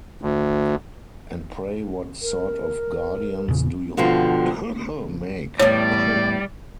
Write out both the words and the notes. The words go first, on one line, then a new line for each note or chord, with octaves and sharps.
And pray what sort of guardians do you make?
D2
A#4
E2 A#2 C#3
B2 D3 F3 C4
E2 A2 G3 C#5 D5